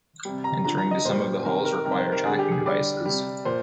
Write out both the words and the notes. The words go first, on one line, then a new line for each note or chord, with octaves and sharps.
Entering to some of the halls requires tracking devices.
C3 G3
A#5
D3 F3 A#5
A#5
D#5
A#2 G3 C5
C3 D#3 G3 A#4
A#4
C3 D#3 G3 A#4
C5
A#4
D3 G3 G#4
G4
G#4
D3 G3 D5
C3 G3
A#2 C5